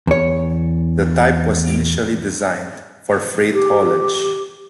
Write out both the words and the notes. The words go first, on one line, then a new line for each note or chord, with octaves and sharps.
The type was initially designed for freight haulage.
E2 C#5
G4